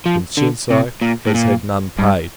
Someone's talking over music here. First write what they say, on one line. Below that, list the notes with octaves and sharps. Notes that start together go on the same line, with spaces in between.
Vincenzo has had none paid.
F3
D3
C3
A#2
A2
A#2
G2